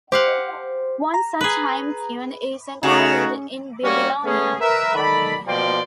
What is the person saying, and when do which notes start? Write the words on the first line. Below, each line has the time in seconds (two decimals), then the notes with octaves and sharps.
One such hymn tune is entitled "In Babilone".
0.12 G4 C5 F5 F#5
1.14 A#5
1.41 G#4 B4
2.83 C#3 A3 D#4 F#4
3.84 G3 A#3 C#4 F#4 G4
4.25 A3 B3 C#4 G#4
4.61 A#4 B4 E5
4.96 D#3 A4 D5 B5
5.47 B2 F3 A#3 D5 G5 C6